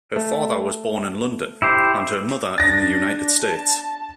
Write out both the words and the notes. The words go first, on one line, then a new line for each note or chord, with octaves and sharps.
Her father was born in London, and her mother in the United States.
A3
E4 G4 C5
D4 A6 A#6
A5